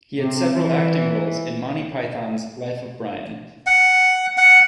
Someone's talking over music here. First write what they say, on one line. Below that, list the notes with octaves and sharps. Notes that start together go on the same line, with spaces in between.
He had several acting roles in "Monty Python's Life of Brian".
C3
E3
F#5
F#5